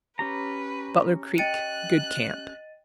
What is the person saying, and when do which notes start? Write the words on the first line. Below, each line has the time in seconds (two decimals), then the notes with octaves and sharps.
Butler Creek.--Good camp.
0.19 C#4 G4 B4 A#5
1.38 D#5 G5 F#6 A6 C#7 D#7